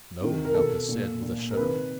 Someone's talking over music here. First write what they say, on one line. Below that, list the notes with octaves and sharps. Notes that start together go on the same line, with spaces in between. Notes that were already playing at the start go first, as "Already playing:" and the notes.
"No," Malchus said with a shudder.
C3 D#3
A#4
B2 A4
A#2
A#2
A#4
C3 D#3 B4